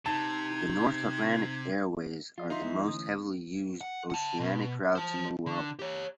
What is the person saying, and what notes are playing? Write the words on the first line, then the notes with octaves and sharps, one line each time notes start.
The North Atlantic airways are the most heavily used oceanic routes in the world.
C3 D#4 A5 G#6
F3 F4
D#4 F4 E5 C6
E3 G#3 B3 E4
D3 A3 C#4 D#6
F#5
F#5 A5
B2
C5 A5
D3
G4 C#5